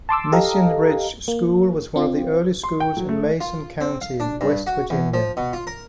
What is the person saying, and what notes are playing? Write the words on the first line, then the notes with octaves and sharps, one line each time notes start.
Mission Ridge School was one of the early schools in Mason County, West Virginia.
A5 C6 D6 E6
G4 A4 D#5 F5 A#5
A#3
C4 F4
C6
G5
F#3
A3
F4
C4
F5
D4
G2
F#4
E2
F3
B2
F4
A#4